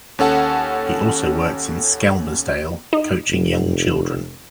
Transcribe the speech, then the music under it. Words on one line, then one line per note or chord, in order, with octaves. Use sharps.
He also works in Skelmersdale, coaching young children.
D#2 C#4 A4 F#5 A5
D#4
F1